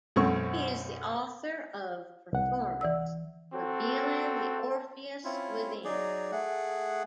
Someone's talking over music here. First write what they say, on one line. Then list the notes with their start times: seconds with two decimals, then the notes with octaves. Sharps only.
He is the author of "Performance: revealing the Orpheus within".
0.16 B1 F#2 C4 A4 C#6
2.33 C2 F#5
2.81 E3 D5 E6
3.53 C4 F#4 A4
5.24 C4 C#4 E4 F4
5.84 F#3 D#4 G#4 D5
6.31 A3 G#4 F#5